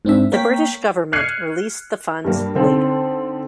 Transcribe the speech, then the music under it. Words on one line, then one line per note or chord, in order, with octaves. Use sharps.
The British government released the funds later.
G#2 C4 D4 E5
A#3 A#4 C#5 G5 B6
F6 F#6 G#6 C7 C#7 D#7
G2 G3 A#3
D3 C4 D#4 A4